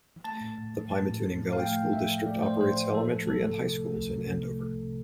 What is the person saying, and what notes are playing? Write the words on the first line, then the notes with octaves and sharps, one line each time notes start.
The Pymatuning Valley School District operates elementary and high schools in Andover.
A3 A5
A2
A2
F3
A3 A5
A2
A2
F3
F5
A3 G5
A2
A2 E5
F3
A3 D5
A2 C5
A2 C5
F3 C5
F3 A4
A3
C2 A4
C3
F3
A3
C2
C3
F3
A3
C2
C3